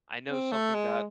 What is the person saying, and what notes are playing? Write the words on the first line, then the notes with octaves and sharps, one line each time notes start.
I know something that
C4
A3
G#3